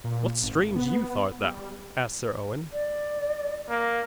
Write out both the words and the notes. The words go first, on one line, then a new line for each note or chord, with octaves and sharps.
'What strange youth art thou?' asked Sir Owen.
A#2
G#1
B3
G3
D5
A#3